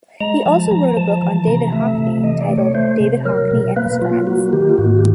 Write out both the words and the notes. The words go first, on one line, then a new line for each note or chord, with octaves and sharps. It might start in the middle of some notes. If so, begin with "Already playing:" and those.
He also wrote a book on David Hockney titled "David Hockney and his Friends".
G#3 A#5
F3 A5
A5
F3 A#5
F3 A5
E3 A5
C3 A#5
A3 E5
C3
E3 D#5
D5
A3
C#5
A3 C5
C3
F#3 A#4
B2
A#3 B4
F#3 F4
A#3 F#4
D#3 G4
F4
G#2 F#4
G4